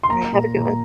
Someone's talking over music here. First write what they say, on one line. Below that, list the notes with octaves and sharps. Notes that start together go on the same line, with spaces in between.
All right, have a good one.
C6
A#3 A#5
A#2
A#2